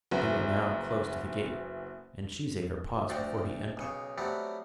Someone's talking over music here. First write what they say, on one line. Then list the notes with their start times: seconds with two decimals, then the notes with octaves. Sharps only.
They were now close to the gate, and Cheesacre paused before he entered.
0.11 F#1 F#3 B3
3.09 D2 C4 F#4 D5 F5 G5
3.77 B1 C#3 C#5
4.18 F#3 G3 A3 B3 C4